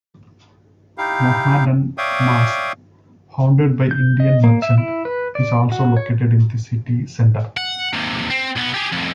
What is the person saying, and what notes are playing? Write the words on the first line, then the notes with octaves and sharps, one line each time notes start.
Muhammadan Mosque, founded by Indian merchant, is also located in the city centre.
D#4 E4 G4 F5
C#5 D5 E5 F5 G5 D#6
G6
D#5
A#3
E5
E4
B4
D5
F#4
C#5
F#5
D#2 C3
C4
B1 B3
G4 G#4
F2 A2